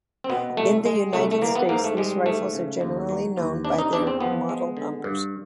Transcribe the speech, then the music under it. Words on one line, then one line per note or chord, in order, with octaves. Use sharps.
In the United States, these rifles are generally known by their model numbers.
C4
B2 B3
C2 A3
G#3
C2 A3
A3
E3 A#3
B3
G#2 A#3
A3
G3 G#3
G#2 A3
C#3
D#2
F#3
D#2
C3 D4
D#4
E2 D4
C4
F3 B3
G#3
D3
G2